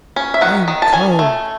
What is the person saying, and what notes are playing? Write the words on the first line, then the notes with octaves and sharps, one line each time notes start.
"I am cold."
C#4
E5
D#3 F#5
D#3
A5
C#4 G#5
A3